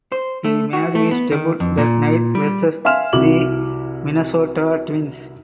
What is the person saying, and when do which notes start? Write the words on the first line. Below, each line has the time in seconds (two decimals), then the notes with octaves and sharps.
He made his debut that night versus the Minnesota Twins.
0.12 C5
0.45 A3
0.73 F#4
0.95 A3
1.11 B3
1.32 D#3
1.60 F2
1.78 A#2
2.35 G3
2.85 E5 F5 G#5 C6 F6 E7
3.13 C2 E4 F#4 D6 F#7